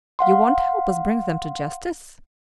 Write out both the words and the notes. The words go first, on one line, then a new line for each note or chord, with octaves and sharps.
"You won't help us bring them to justice?"
F5 F#5 C6